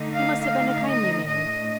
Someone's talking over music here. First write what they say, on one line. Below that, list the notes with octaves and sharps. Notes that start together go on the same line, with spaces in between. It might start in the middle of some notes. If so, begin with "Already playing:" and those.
"He must have been a kindly man!"
Already playing: D3 A3 D#4
F5
F5
D#5
A2 A3 D4 D#5